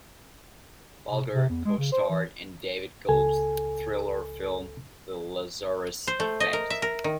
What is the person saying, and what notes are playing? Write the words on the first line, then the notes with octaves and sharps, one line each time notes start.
Bolger co-starred in David Gelb's thriller film "The Lazarus Effect".
C3
C3
E2
G#3
C#3
C5
E3
C#2 A4 G#5
C5
A3
D#5
A#4
E5
A#4
D#3